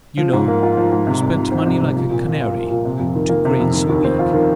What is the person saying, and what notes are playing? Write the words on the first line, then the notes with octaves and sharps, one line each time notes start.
You know, you spend money like a canary, two grains a week.
F3
G#2
A#3
F4
F3
G#2
C3
C2
F3
C4
C3
C2
F3
A#2
A#3
F4
F3
A#2
C3
F2
D#3
A#3
C3
F2
D#3
D#2
C4
F4
D#3